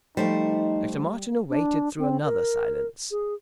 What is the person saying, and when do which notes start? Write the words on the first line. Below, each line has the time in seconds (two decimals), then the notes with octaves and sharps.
Dr. Martineau waited through another silence.
0.17 F3 G3 A3 D#4 C5
1.50 D4
1.99 C4
2.24 A#4
3.11 G#4